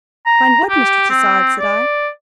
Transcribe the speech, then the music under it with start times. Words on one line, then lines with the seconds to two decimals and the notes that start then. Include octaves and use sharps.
"Find what, Mr. Tassard?" said I.
0.26 A#5
0.69 G4
1.10 C4
1.59 D5